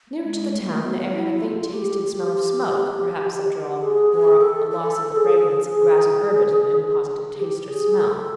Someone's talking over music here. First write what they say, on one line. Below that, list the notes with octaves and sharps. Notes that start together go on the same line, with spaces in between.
Nearer to the town, the air had a faint taste and smell of smoke; perhaps, after all, more a loss of the fragrance of grass and herbage than any positive taste or smell.
G#3
A3
A#3
A3
B3
E4
F4
G4
G4
G#4
G#4
A4
A4
G#4
G#4
G#4
G4
G#4
A4